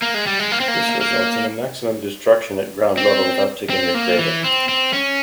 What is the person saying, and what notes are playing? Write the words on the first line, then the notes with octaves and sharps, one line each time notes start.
This results in a maximum destruction at ground level without digging a crater.
A#3
G#3
G3
G#3
A#3
C4
A#3
A#3
C4
C4
A#3
E3
C4
C4
C#4